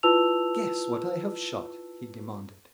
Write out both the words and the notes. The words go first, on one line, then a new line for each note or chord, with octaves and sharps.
"Guess what I have shot," he demanded.
E4 F4 B4 A5 E6 F7